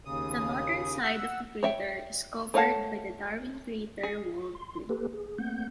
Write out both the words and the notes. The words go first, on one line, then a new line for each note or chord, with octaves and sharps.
The northern side of the crater is covered by the Darwin Crater walled plain.
D#2 C#3 D#6
F#5 E6
C#5 E5 G5
A3 C#5 F5 F#5 A5
G#4
C6
A#3 G4 A4 B4
G#4
A3 A#3 C4 F#5 G6